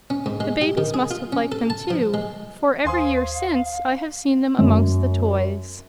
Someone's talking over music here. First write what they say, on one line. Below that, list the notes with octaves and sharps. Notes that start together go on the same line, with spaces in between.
The babies must have liked them, too, for every year since I have seen them amongst the toys.
C#4
G#2
G#3
G4
D#3
G#4
F4
C#4
A4
A5
F3
G#3
D#2 C5 F5 G#5 C6 D#6
F#2